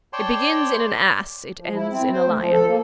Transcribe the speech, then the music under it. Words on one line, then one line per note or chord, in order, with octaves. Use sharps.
It begins in an ass; it ends in a lion.
C#5 D5 G5 A5 C6
F3
E4
C4
C5
A3
F3
A4
A#3